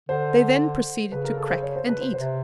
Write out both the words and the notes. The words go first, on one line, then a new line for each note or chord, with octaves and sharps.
They then proceeded to crack and eat.
D3 C5
C#3 B4
A#4
A4
C5
C#5
C5
B4
C5
C3 C5